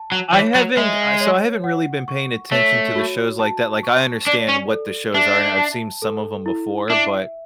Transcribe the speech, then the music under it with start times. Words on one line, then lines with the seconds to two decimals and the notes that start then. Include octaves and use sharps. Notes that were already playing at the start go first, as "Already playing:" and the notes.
I haven't, I so I haven't really been paying attention to the shows like that, like I understand what the shows are, and I've seen some of 'em before, but
Already playing: A5
0.12 F#3
0.33 E3 C#5
0.55 F#3
0.77 G#3 E5
1.20 C#5
1.64 F#5
2.08 C#6
2.52 A3 C#5
2.96 F#4
3.39 A5
3.83 C#6
4.27 D4 D5
4.49 C#4
4.70 A4
5.14 D4 E5
5.58 A5
6.02 A4
6.46 E4
6.90 D4 E5